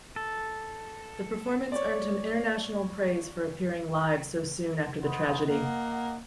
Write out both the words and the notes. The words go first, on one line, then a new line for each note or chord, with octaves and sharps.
The performance earned him international praise for appearing live so soon after the tragedy.
A4
C#5 D5
B3 C5 D#5
A#3 D#5 F#5